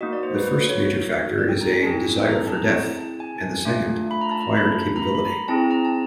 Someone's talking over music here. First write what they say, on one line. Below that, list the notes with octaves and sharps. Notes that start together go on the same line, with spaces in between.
The first major factor is a "desire for death" and the second "acquired capability".
A#3 D#4 F#4 D#5
D5
C5
B4
B4
C#5
D5
G5
A#5
G#5
C4 E4 G#4 A5
A#5
A5
A#5
A5
A5
G#5
A3 D4 F4
B5
A#5
A5
A#5
B5
A#5
B5
B5
A#5
C4 E4 G#4 A5
A#5
A5